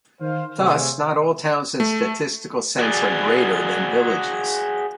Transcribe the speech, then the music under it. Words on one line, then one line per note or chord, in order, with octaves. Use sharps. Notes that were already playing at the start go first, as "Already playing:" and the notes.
Thus, not all towns in statistical sense are greater than villages.
D#3 C5 F5
C3 A3 G#4 C5 C#5 E5
A3
F#4 G#4 D5